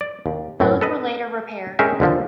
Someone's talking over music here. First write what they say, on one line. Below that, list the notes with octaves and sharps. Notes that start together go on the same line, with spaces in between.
Both were later repaired.
D5
D#2
F#2 A2 F#3
A4 B4 D#5
G#3 C#4 G#4 A#4 E5 G5
D#2 D3 F3